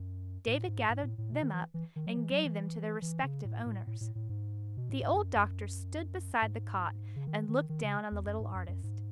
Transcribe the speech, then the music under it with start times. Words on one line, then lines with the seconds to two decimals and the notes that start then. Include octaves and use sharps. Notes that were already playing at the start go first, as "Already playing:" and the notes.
David gathered them up and gave them to their respective owners. The old doctor stood beside the cot and looked down on the little artist.
Already playing: F#2
0.47 A2
0.68 G#2
0.90 G#2
1.03 A2
1.18 A2
1.32 B2
1.42 D#3
1.53 E3
1.74 E3
1.96 D#3
2.06 F#3
2.17 E3
2.31 F#3
2.45 E3
3.02 E3
3.23 C#3
3.45 A2
3.66 A2
3.87 A2
4.01 A2
4.15 A2
4.29 G#2
4.77 B2
4.90 A2
5.02 G#2
5.15 F#2
5.35 F#2
6.42 G#2
7.16 C#3
7.27 D#3
7.48 D#3
7.69 D#3
7.84 C#3
8.12 E2
8.26 F#2
8.40 G#2
8.55 F#2
8.68 F#2
8.83 G#2